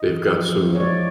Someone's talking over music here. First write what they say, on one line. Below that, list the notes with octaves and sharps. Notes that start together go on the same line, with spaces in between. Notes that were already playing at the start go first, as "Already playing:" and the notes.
they've got some
Already playing: D#5
E3
F3
F3
C#5
G#3 D5